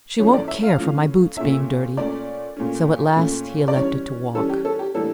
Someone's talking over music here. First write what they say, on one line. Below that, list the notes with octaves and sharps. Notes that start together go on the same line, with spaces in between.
"She won't care for my boots being dirty." So at last he elected to walk.
A2 F3 A3 C#4 C#5
D5
E5
F5
A2 F3 A3 C#4
A#2 A3 C#4 E5
A#2 A3 C#4 D5
A#2 A3 C#4
A#2 A3 C#4
D5
E3 G3 C#4 C#5
E3 G3 C#4 A4
G4
A4
G4
A2 E3 G3 A#3 D4 A4